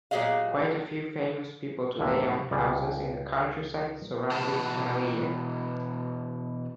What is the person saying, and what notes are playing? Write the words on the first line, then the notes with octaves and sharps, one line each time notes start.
Quite a few famous people today own houses in the countryside surrounding Tomelilla.
A#2 F#3 G4 G#4 D#5 F5
A1 D#2 A#3 D4 E5
C#2 G3 G#4 D5
B2 E3 F#4 B4 F#5 A5